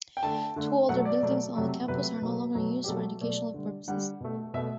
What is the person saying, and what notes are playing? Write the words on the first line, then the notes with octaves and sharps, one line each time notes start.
Two older buildings on the campus are no longer used for educational purposes.
G5
D3 A3 A5
D3 A3
B2 F#3 A3 F#5
D5
B2 F#3 A3
C3 F#3 A3
C3 F#3 A3 B4
B2 F#3 A3
B2 F#3 A3
G4
B2 F#3 A3 A4
B2 F#3 A3 D5
D3 G3
D3 G3 F#5
B2 A3
B2 A3 E5